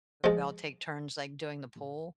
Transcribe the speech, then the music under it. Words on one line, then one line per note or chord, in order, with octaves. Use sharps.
we all take turns, like, doing the pool.
F3 G#3